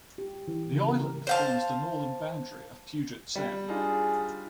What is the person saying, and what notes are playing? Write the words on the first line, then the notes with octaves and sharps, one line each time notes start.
The island forms the northern boundary of Puget Sound.
G4
E3
C#3
A#4
C5 F5 A5
G3
D4 D#4 F4 G#4